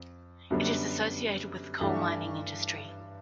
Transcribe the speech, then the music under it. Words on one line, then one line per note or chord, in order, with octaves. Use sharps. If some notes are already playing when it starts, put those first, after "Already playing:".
It is associated with the coal mining industry.
Already playing: F2
F#2 D3 G3 B3
G2 E3 A3 D4 G4